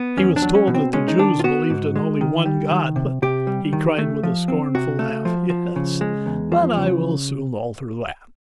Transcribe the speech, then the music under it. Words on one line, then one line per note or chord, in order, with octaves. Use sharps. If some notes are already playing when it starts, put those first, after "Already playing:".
He was told that the Jews believed in only one God, but he cried with a scornful laugh, 'Yes, but I will soon alter that!'
Already playing: B3
E2 C#4
D4
F#3
C#4
B2
C4
G#3 C#4
D#4
D#3 D4
F4
B3 F#4
G#2
G#3
D#3
G3
D#3
C3
C3 G4
G3
D#3
A3
F3
C4
C3 F#4
A3
F3
F3
C#3
G#3
E2
F3
C#3